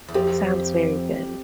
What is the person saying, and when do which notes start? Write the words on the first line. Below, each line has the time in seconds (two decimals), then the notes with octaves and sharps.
Sounds very good.
0.08 E2
0.14 F2 G4